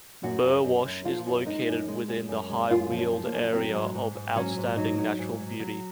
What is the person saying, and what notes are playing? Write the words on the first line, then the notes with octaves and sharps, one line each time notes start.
Burwash is located within the High Weald Area of Outstanding Natural Beauty.
F#2 F#4
F#2
F#2
F#2
F3 F4
F#2
G#3 D#4
F#2
G#3
F#2
F#2
G#3
F#2 F4
F3
C#4
F3
A#3
F#2
F#3 C4
G#2
G#2
G#2
F#3 C#4
G#2
F#3 D#4
F#3
G#2
F#3
F#3